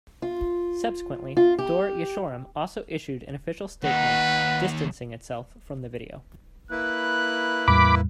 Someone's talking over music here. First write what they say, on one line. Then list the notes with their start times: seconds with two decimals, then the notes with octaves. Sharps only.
Subsequently Dor Yeshorim also issued an official statement distancing itself from the video.
0.22 F4
1.37 F4
1.59 G4
3.83 D#2 D#4 B4 F#5
6.71 A#3 E4 B4 F#6
7.68 E2 A2 G3 B5 D6